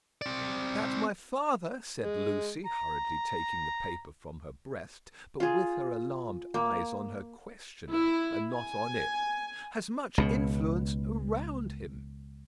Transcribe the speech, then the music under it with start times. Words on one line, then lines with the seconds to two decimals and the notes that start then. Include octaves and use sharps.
"That my father," said Lucie, hurriedly taking the paper from her breast, but with her alarmed eyes on her questioner and not on it, "has much influence around him."
0.22 C4 D5
2.01 G#3
2.66 A#5
5.40 F4 G#4
6.54 A#3
7.90 E4
8.54 G#5
10.18 C#2 B2